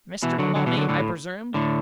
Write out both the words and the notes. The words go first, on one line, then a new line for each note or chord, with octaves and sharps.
"Mr. Maloney, I presume?"
B2 E3
D3 F#3
D3 F#3
B2 E3
D3 F#3
A2 D3
A2
A2 D3